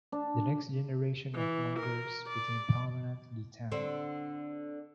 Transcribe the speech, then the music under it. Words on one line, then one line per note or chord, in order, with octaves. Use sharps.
The next generation of Mungers became prominent in the town.
D4
E3
A#4
D5
D3 C4